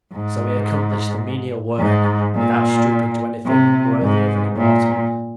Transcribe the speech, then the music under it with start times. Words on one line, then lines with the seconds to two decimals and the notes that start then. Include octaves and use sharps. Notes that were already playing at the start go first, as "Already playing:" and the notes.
So he accomplished the menial work without stooping to anything unworthy of an immortal.
0.13 G#2
1.79 G#2
2.35 A#2
3.46 C3
4.02 G#2
4.57 A#2